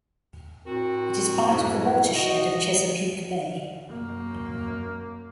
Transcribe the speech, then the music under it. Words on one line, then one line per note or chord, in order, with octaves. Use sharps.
It is part of the watershed of Chesapeake Bay.
A2 C4 F#4 A#4
F2 G#2 B2 E4
F#4 D#5
F#2 A#3